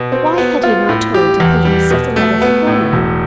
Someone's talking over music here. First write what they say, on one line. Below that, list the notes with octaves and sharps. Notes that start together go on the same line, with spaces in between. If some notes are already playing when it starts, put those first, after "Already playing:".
Why had he not told the police of the letter from Horner?
Already playing: B2
C4
B3
F4
A2
G4
E2
G3
B2
A3
B3
A2
E1